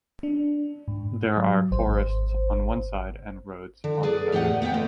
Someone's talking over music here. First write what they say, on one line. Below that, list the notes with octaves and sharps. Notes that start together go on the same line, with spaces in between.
There are forests on one side and roads on another.
D4
G#2
F#3
G#1 C5
D3
G#4 B4 D5
E2 A2 G4 D#5 F#5
A#3 B3 D#5 G5
D2 A3 D#5